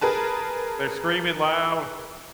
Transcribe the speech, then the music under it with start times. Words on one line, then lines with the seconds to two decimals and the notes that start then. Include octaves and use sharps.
They're screaming loud.
0.01 G#4 A#4 B4 A5